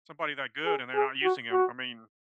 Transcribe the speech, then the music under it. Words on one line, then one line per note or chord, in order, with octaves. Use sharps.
somebody that good, and they're not using him, I mean
G#4
G#4
F#4
F#4